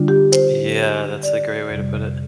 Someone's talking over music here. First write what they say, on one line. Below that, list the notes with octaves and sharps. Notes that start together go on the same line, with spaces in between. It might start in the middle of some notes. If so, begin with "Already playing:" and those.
Yeah, that's a great way to put it.
Already playing: D3 G3 D4 F4
G4
C5
D5
F2 C3 G3